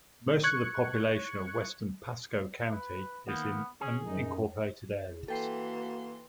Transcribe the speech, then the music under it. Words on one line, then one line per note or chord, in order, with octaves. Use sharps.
Most of the population of western Pasco County is in unincorporated areas.
C#6 F#6 G#6 C#7
B4
D#3 A#3 B3
C#4 G#4
F#2 D#4
E3 A#3 F#4 A4 G5 C6 C7